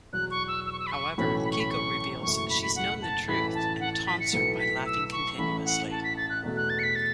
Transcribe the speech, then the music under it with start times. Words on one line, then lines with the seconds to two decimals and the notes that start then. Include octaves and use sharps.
However, Keiko reveals she's known the truth and taunts her by laughing continuously.
0.13 E2 B2 F#3 F#6
0.31 C#6
0.48 E6
0.66 E6
0.72 C#6
0.80 E6
0.87 B5
0.91 C#6
1.18 B1 A2 E3 C#4 B5
1.44 B5
1.52 C#6
1.60 B5
1.71 C#6
2.23 F#1 E2 B2 A3 E4 C#6
2.36 C#6
2.50 B5
2.62 B5
2.76 F#5
3.02 A5
3.28 A1 A2 E3 B5
3.55 A5
3.80 F#5
3.94 A6
4.07 B6
4.20 C#7
4.33 B1 A2 A3 E4 B4 C#7
4.60 B6
4.86 E6
5.12 C#6
5.38 A1 A2 E3 B5
5.65 F#5
5.91 A5
6.04 B6
6.17 A6
6.30 F#6
6.43 E2 B2 A3
6.57 F#6
6.70 A6
6.79 C#7
6.83 B6
6.96 A6